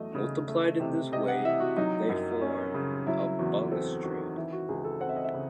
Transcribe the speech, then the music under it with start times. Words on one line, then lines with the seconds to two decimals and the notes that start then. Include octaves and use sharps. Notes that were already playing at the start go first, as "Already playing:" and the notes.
Multiplied in this way, they form a balustrade.
Already playing: E2 F#3 A3 D#5
0.15 C#3
0.48 A3
0.80 C3
1.12 C3 D#5
1.28 F#5
1.44 E3 E5
1.60 F#4
1.77 F#3 D#4
2.09 F#2
2.41 C#4
2.74 C#3
3.07 F#3 E4
3.39 E2 F#4
3.71 C4 A4
4.03 D#3 F#4
4.36 E3 E4
4.52 F#4
4.69 C#2 G#4
4.85 A4
5.00 C4 F#5
5.09 E5
5.16 D#5
5.24 E5
5.34 C#3